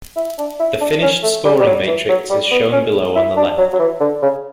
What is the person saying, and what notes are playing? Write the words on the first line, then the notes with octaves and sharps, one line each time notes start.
The finished scoring matrix is shown below on the left.
E4
D4
E4
D4
C#4
A3
G3
G3
F#3
E3
F#3
G3
B3
C#4
E4
D4
F#3
F#3
E3
D3
C#3